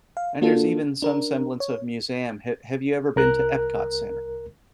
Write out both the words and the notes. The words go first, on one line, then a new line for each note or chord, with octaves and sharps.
And there's even some semblance of museum, h have you ever been to EPCOT Center?
F5
A#3 D4 F4 F#4 A4
D4 A#4
C#5
C2 A#4 F#6